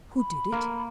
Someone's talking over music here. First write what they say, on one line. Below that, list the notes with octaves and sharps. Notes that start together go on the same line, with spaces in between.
Who did it?
B5
A#3